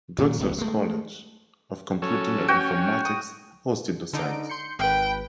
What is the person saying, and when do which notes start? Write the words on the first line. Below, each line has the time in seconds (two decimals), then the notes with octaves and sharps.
Drexel's College of Computing and Informatics hosted the site.
0.18 A#2 D#3 F#3
0.39 E1 C#2 B3
0.58 G#3 A3
2.02 F#3 C#4 A4
2.48 C#4 F#4 G5
3.05 D#6
4.13 D3 D#4 D7
4.49 C6 G6 C#7
4.79 G#1 B4 G5